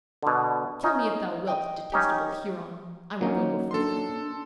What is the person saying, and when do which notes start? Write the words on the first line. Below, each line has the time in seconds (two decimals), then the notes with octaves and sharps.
"Kill me if thou wilt, detestable Huron; I will go no further."
0.23 B2 D3
0.83 C#4 D#4
1.47 D#5 G5
1.92 C#4 D#4 G4
3.21 F#3 A#3 C#4 D#4
3.71 D4 A4 C6